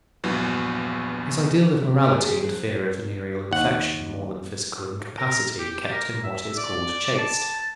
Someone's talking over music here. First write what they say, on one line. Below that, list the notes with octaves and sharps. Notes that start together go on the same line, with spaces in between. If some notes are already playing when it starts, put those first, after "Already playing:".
His ideal of morality and fear of venereal infection, more than physical incapacity, kept him what is called chaste.
A#1 E2 G2 E3 F#3
A2
G4 G#4 A#4 F#5 G#5 A5
D#2 G4 G#4
F3 D4
D#2 F#5
A#4
G4
A#4
E5
D5
A5